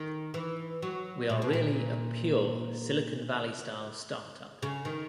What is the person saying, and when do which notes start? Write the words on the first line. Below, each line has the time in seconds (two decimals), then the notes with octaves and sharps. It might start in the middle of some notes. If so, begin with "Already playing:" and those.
We are really a pure Silicon Valley-style startup.
Already playing: D#3
0.34 E3
0.82 F#3
1.30 A#2
1.42 B2
1.53 A#2
4.62 C#3
4.85 D#3